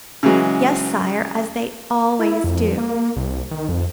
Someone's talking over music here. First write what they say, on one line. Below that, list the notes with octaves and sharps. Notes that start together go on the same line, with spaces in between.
"Yes, sire, as they always do."
C#3 E3 F#3 G#3
E4
F2
A#3
C2
D#3
F2